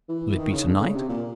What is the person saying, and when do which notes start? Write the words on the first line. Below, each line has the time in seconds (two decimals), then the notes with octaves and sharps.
"Will it be to-night?"
0.09 E3
0.37 D#3
0.52 C#3
0.67 D3
0.80 C#3
0.95 C3
1.09 A#2